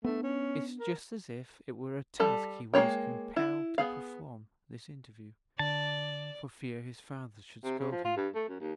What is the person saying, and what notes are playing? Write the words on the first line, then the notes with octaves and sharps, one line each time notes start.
It's just as if it were a task he was compelled to perform--this interview--for fear his father should scold him.
A3 B3 D4
C#4
A#4
G3 A4 A5
G#3 A#3 E4 C#5 G5
E4
B3 G#4 F5
D3 D5 A5
C3
C#3
F3
F4
G2
A3
F#2
D#2